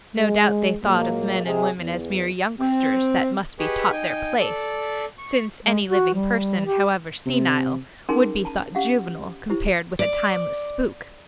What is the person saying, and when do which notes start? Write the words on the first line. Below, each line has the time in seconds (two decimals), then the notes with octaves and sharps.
No doubt they thought of men and women as mere youngsters that must be taught their place, since any living person, however senile, would be thought juvenile compared with a timeless spook.
0.17 G#3
0.83 A#2 F#3 G#3 A#3
1.45 C3 G#3 G#4
1.79 E2
2.59 C4
3.59 G4 G#4 B4 D#5 B5 C#6
3.92 D#4 G5 G#5
4.40 A4 D5
5.18 C#6
5.65 G#3
5.87 F#4
6.14 G3
6.66 G4
7.26 C3
8.09 C#4 D#4 G#4 A#4 G#5 C6
8.45 A5 A#5
8.75 C#4 G4 F5 F#5
9.50 E4 G4 C5
9.99 D5